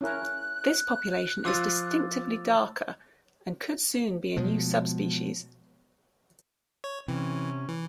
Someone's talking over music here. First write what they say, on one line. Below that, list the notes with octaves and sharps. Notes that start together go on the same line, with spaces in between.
This population is distinctively darker and could soon be a new subspecies.
C#4 E4 A#4 F#6
F3 F4 D6 E6 A6
B2 F3 G#3
C#5
C3 E3 C#4
E3